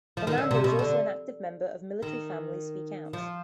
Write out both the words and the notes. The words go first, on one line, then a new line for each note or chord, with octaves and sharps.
Fernando is also an active member of Military Families Speak Out.
F3
D#3
D3
C3
B2
D3
D#3
F3